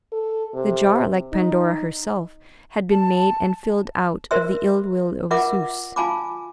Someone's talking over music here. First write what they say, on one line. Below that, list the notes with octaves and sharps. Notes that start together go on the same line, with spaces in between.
The jar, like Pandora herself, had been made and filled out of the ill will of Zeus.
A4
C3
D#4
A5
A#4 C5 E5 C6 E6
F4 A#4 E5 F#5 D6
F4 F5 G#5 A5 B5 D6